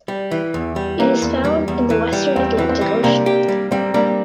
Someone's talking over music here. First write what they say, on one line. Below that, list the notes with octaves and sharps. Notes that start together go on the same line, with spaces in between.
It is found in the western Atlantic Ocean.
G3
E3
E2
G3
E3 A#3
E2
G3
E2
E3
G3
E2 C4
E3
C4
G3
C3 A#3 D4
G4
G3
G3 C4
G3 A#3 D4